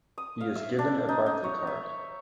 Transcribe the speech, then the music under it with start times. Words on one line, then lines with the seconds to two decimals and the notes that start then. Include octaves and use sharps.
He is given a Barclaycard.
0.18 D#6
0.41 F5
0.56 E5
0.79 D4
1.09 D#4
1.26 D#4
1.44 C#5
1.67 E5